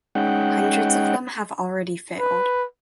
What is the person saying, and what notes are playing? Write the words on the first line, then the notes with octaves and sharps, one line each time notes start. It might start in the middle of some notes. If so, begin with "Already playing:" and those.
Hundreds of them have already failed.
G#3 C#4 D#4 F#5 G5
B4